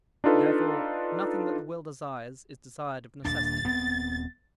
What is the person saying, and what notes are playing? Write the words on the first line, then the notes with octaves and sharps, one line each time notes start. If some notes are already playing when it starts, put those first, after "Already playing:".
Therefore nothing that the will desires is desired of necessity.
D4 D#4 F4 A4 B4
D#1 D#2 D4 A6
D#1 B3 C4